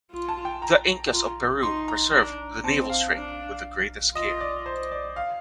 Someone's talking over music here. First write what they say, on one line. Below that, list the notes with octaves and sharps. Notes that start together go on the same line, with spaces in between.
The Incas of Peru preserved the navel-string with the greatest care.
F4
A5
G5
A#5
F4
D#4 C6
A#5
D4
C4 A5
F5
D4
F4 D#5
D5
C5
D5
F5